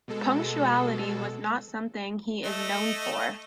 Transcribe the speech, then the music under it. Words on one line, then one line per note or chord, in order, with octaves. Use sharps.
Punctuality was not something he is known for.
B2 G#3 A4
A3 D#5